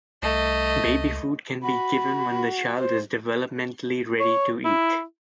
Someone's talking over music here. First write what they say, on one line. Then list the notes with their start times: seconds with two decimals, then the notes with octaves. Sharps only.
Baby food can be given when the child is developmentally ready to eat.
0.22 C2 A3 D#5
0.86 C#2
1.62 F#4 B5
2.78 C5
4.20 C#5
4.65 E4